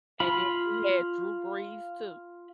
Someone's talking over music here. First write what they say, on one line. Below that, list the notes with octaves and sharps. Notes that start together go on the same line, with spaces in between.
and then we had Drew Brees, too.
F4 B5